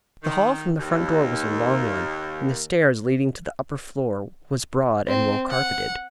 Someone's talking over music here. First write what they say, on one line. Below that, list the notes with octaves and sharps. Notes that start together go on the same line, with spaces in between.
The hall from the front door was a long one, and the stairs leading to the upper floor was broad and well carpeted.
D#3
D#2
C4
F#5